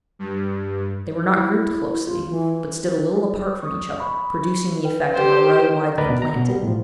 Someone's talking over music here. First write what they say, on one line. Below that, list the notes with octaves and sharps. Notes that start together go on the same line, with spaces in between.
They were not grouped closely, but stood a little apart from each other, producing the effect of a row widely planted.
G2
E4
F4
E3
C#6 D#6
B5 C#6
B4 G5
G4 C5
D2 A#4 B4 D5 D#5 A#5
B2
A#5
B2
G3 B3
A2 F3